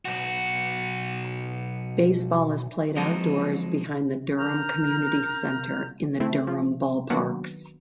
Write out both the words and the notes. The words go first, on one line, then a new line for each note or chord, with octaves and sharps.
Baseball is played outdoors behind the Durham Community Centre in the Durham Ball Parks.
B1 F#4
F3 F#3 G#3 C4 D#4
A#4 A#5 F6 G6
A3 C4 E4
F3
D#3 F#3 A#3 B3 D4 F#4